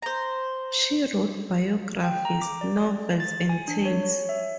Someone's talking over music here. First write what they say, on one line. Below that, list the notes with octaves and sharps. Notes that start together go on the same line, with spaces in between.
She wrote biographies, novels and tales.
C5 A#5
G5
A#5
D6
D5
A6
G#5
D4
C#5
C#5
E5